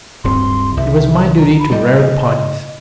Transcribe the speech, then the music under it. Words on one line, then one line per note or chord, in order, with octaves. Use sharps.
It was my duty to "rare the poddies".
D1 G2 C4 C6
C2 E5
A#5
B5
G3 D#5
C#3